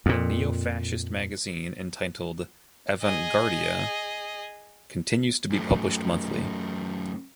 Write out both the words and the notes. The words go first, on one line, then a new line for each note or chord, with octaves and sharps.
A neofascist magazine entitled "Avanguardia" continues to be published monthly.
F2 A#2
G#4 D#5
F#2 A3